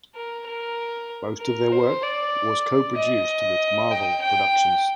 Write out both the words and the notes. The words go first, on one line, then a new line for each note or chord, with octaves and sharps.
Most of their work was co-produced with Marvel Productions.
A#4
A#4
A#4
C5
D5
D#5
G5
G5